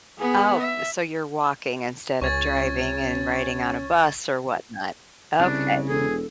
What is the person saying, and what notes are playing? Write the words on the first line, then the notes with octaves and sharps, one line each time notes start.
Oh, so you're walking instead of driving and riding on a bus or whatnot. Okay.
B3 G#4
E5
C#2 C#4 C#6 G#6 A6
C2 C#3 D4
E1 G#4 A4